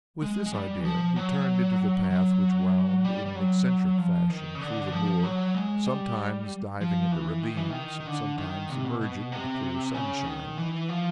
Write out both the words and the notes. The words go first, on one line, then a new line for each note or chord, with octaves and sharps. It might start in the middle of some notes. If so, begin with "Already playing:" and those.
With this idea he turned into the path which wound in an eccentric fashion through the moor, sometimes diving into ravines, and sometimes emerging into clear sunshine.
G#3
G#3
G3
E3
F3
F#3
F#3
G3
G3
F#3
F3
D#3
C#3
D3
F3
F#3
G#3
G3
F3
E3
D#3
E3
D#3
D#3
D3
D#3
C3
B2
B2
C3
C#3
D#3
E3
F3